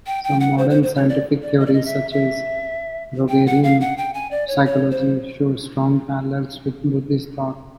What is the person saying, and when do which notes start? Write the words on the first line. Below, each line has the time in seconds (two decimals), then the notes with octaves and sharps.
Some modern scientific theories, such as Rogerian psychology, show strong parallels with Buddhist thought.
0.06 G5
0.24 G5
0.40 F#5
0.58 C5
0.70 C5
0.83 C5
0.95 C#5
1.09 D5
1.43 D5
1.59 D#5
1.66 D5
1.73 D#5
1.85 E5
2.11 E5
3.29 G5
3.47 F#5
3.63 F5
3.80 F#5
3.98 G5
4.14 G#5
4.31 D5
4.48 C#5
4.66 C#5
4.91 C5